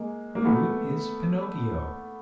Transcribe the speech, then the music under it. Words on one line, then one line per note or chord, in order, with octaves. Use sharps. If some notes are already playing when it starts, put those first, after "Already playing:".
"Who is Pinocchio?"
Already playing: G#3 A#3
A#3
A3 B3